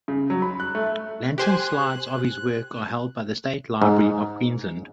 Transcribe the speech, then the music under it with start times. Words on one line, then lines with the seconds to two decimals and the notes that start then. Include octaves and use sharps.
Lantern slides of his work are held by the State Library of Queensland.
0.08 C#3
0.30 F#3
0.42 B5
0.60 F#6
0.75 A3
1.38 G4 C5 G#5 F#6
3.82 G#2